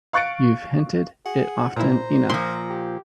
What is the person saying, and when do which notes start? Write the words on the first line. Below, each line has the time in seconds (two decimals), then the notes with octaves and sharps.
You've hinted it often enough.
0.13 F5 C#6 F#6 A6 C#7 D7
1.25 G#4 F#5
1.76 A#2 E4 C5 A#5
2.30 A#2 F3 C6
2.69 G4